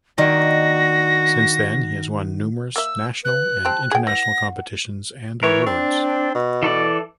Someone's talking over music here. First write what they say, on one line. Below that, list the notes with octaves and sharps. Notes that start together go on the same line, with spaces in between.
Since then he has won numerous national and international competitions and awards.
D#3 A#3 D4 F#4 D#5 A#6
A#3 E5 E6
B4 F#6
C4 G4 A5
G#4 F#5 G5
E3 A#6
E3 A#4 C#5
C4 D4
B2
E3 A4 D5